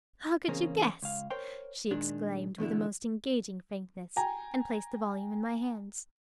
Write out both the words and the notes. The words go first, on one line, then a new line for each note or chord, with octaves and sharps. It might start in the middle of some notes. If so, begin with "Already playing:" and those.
"How could you guess?" she exclaimed with the most engaging frankness, and placed the volume in my hands.
E2 C#3 A#3 C4 C#4
C#2 F5
A#4 C5 C#5 G5
A#2 D#3 G#3 D4
E2 B2 D3 E4
G5 G#5 A#5